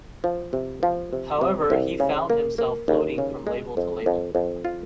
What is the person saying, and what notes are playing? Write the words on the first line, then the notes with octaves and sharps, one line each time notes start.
However, he found himself floating from label to label.
F3
C3
F3
C3
C3
C2
C#3
A#3
A#3
D#2
C#3
G#3
F2
F2
F2
F4